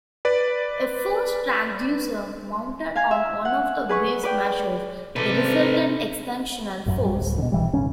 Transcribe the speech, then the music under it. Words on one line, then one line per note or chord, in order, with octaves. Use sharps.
A force transducer mounted on one of the wheels measures the resultant extensional force.
B4 D5
F5 G#5
E5
F#5
G#4 B4 C#6
B4 D5 G5
C3 A3 A4 B4
A1 F#2
G3
D1
B2 D3
B1 E3 G3
D#1 G#1 C#3 C#4